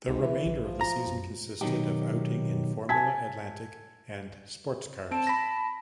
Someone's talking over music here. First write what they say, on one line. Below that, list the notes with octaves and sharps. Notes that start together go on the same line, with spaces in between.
The remainder of the season consisted of outing in Formula Atlantic and Sportscars.
C#2 G#2
C#3 E3
A#1
F3
A#5
F#2
B2 D#3 E3 F#3 D#4 G4
G#5 A5 G#6 B6
C4 A5 D7
B5 A#6